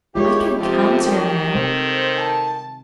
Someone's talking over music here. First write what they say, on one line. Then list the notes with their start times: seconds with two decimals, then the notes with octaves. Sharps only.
"I can canter now!"
0.15 D#2 G#3 E4 F4 G4 C#5
0.59 F2 C3 F3 G4
1.03 D#3
1.55 C3 A4 C5
2.17 A5